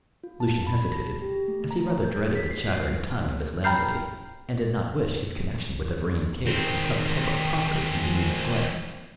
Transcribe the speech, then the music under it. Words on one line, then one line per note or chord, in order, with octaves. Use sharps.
Lucian hesitated, as he rather dreaded the chattering tongue of his landlady, and did not wish his connection with the Vrain case to become public property in Geneva Square.
F4
A5
B5
A#6
G4
A3
A#5
C#5
G6
B6
C7
F4
G5 A#5 B5 F6 G6 C7
D#3 C4